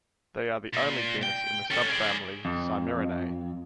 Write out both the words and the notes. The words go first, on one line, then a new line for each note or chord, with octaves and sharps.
They are the only genus in the subfamily Saimirinae.
A#2
G5
C#4 A4
G#4 D5
F2